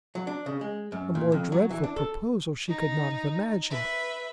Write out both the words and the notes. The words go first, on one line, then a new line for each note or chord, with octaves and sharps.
A more dreadful proposal she could not have imagined.
F#3
D4
C#3
G#3
F#2
A#2
F2
F#3
E3
D4
A4
D#4
B4 E5